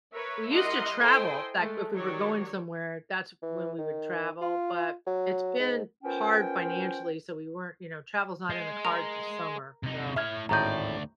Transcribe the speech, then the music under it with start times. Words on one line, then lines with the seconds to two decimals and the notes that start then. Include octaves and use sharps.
we used to travel back if we were going somewhere, that's when we would travel, but it's been hard financially, so we weren't, you know travel's not in the cards this summer, so
0.13 A#4 B4 C#5 E5
0.50 G3 E4 A#4 D#5 F#5 C6
0.97 E4 A4 C5 D#5 G5 G#5
1.58 G#3 A3
1.94 D#3 F#3 G4 C#5 D5
3.43 E3
3.78 D#3
4.42 F4
5.07 F#3
5.59 G#2
6.04 A#3 B3 C#4 F4 C5 G5
8.50 G#3
8.85 A#4 F7
9.83 C3 D#4
10.16 A2 C#5 E5 F6 G#6
10.49 G#1 D2 A2 D5 D#5 A#5 G6